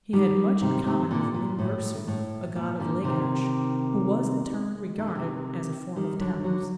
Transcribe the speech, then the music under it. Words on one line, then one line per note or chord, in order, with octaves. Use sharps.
He had much in common with Nin-Girsu, a god of Lagash, who was in turn regarded as a form of Tammuz.
D#3 G3
C3 D#3
C3 D#3
A#2 D3
A#2
A2
A2
A#2
A#2 D3
C3 D#3
D#3
D3
C3 D#3
D#3 G3
D3 F#3
D3 F#3